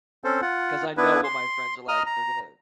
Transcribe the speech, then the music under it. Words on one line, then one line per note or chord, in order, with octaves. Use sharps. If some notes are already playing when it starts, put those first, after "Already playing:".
'cause I know what my friends are like. They're gonna
C4 C#4 A4 C5
F4 F#5
B3 D4 E4 B4
C6
D#5 A#5 D#6 F6
A#5